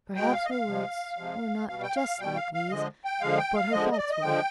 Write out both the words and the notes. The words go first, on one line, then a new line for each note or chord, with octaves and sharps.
Perhaps her words were not just like these, but her thoughts were.
B2 G#3 G5
F5
D#5
F5
C3 F3 G#3
C3 F3 G#3
B2 G3 F5
G5
F5
B2 G3 G5
F5
F5
D3 F3 G#3 D#5
G5
D3 F3 G#3 F5
G5
F5
D3 F3 G#3 D#5
D#5
D5
D#5
D3 F3 G#3 G5